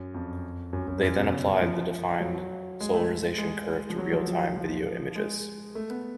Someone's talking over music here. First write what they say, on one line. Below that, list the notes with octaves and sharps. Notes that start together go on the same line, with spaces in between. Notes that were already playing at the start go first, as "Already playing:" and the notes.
They then applied the defined solarisation curve to real time video images.
Already playing: F#2
F2
F#2
F#2
F#2
B2
C#3
C#3
F3
F#3
G#3
A3
G#3
F3
F#3
F3
F3
F3
G#3
A3
B3